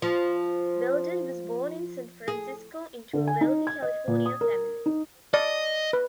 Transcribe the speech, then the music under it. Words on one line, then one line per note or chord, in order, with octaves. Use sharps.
Belden was born in San Francisco into a wealthy California family.
F3
G#4
D3
G#5
D#4
G#6
D#5
A#2
D#6
A#4
D#4
D5 D#5
B4